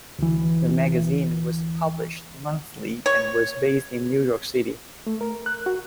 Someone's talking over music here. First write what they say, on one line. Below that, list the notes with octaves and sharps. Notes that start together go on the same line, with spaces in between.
The magazine was published monthly and was based in New York City.
D2 E3
C#5
A3
A#4
F#6
F#4